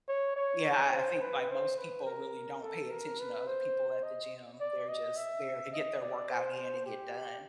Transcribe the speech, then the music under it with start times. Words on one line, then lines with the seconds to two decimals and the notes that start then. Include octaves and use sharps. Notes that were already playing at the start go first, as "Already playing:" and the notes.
yeah, I I think, like, most people really don't pay attention to other people at the gym they're just there to get their workout in and get done.
0.08 C#5
0.36 C#5
0.93 C5
1.21 B4
1.50 C5
1.78 B4
2.06 A#4
2.63 A4
2.91 A#4
3.20 B4
3.47 C5
4.03 D#5
4.60 D5
4.89 D#5
5.16 E5
5.73 D#5
6.01 D5
6.29 C5
6.86 G4